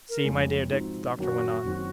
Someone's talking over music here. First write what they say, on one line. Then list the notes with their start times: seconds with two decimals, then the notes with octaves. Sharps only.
"See, my dear Dick!" the doctor went on.
0.09 A#4
0.24 F1 F2 C#3 G#3
0.70 G#2 F3 C4 D#4 F#4
1.17 F#2 D#3 A#3 C#4 F#4
1.64 F#1 F#2 D#3 F#3 C4